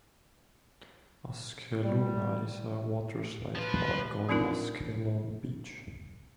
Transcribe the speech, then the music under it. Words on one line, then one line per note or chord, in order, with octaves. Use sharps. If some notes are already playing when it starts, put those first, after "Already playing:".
Ashkeluna is a water-slide park on Ashkelon beach.
G3
F3 F4 B4
F3 C4 D4 D#4 F4 A#4